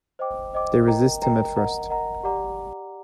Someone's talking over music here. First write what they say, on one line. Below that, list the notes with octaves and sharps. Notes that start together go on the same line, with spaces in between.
They resist him at first.
C5 D#5 G5 D6
C5 D#5 G5 D6
A#4 D#5 G5 A#5
A#4 D#5 G5 A#5
A#4 D#5 F#5 A#5
A#4 D#5 F#5 A#5
G4 D5 F#5 A#5 D6